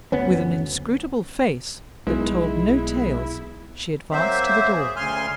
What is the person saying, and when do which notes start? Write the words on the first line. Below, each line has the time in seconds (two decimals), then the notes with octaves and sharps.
With an inscrutable face that told no tales, she advanced to the door.
0.12 F#1 D2 B3 C#4
2.07 B1 G#3 E4
4.12 F#3 A#3 C4 C5 E5
4.72 G#4
4.97 D2 C#3 G#5 C6 F6